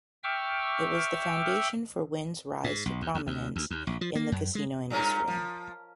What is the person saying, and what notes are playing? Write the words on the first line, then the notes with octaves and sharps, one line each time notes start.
It was the foundation for Wynn's rise to prominence in the casino industry.
E5 G5 C#6 D6 E6 F6
G#2
B1
D#2
D#2
D2
D2
D#2
A#1
F3
A#3
F#2
G#3
G2 A#2 C#4
F3